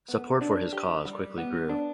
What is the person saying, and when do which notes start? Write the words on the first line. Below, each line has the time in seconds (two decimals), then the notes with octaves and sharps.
Support for his cause quickly grew.
0.08 B3
0.41 D4
0.73 G4
1.05 G3
1.37 B3
1.69 D4